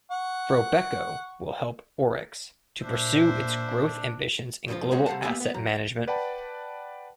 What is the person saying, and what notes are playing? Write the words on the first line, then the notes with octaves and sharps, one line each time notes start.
Robeco will help Orix to pursue its growth ambitions in global asset management.
F#5 C#6
A#2 D4 C5 E5
G2 C#3 E3 F3 F4
G#3 C4 C#4 F#4
C3 G3 F5 F#5 A5
A#3 B3 G4 E5 F5 G#5
B3
F#2 A#5
B4 D5 F#5 G5 A5 B5